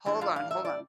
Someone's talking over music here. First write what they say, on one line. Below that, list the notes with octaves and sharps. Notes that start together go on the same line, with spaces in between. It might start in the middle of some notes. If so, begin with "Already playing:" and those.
Hold on, hold on.
A2 E3 G3 D4
F4 F5
F5
E5
D5